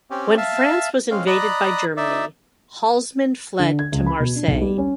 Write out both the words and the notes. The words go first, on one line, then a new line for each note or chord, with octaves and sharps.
When France was invaded by Germany, Halsman fled to Marseille.
C4 C#4 G4
E5 F5 A5
G#3 C4 C#4 F5
D5 D#5 A#5 B5 D#6 F#6
D#4 D5 E5
D3
G#6
C#2
B5
B2
D4
B1
G3
C#4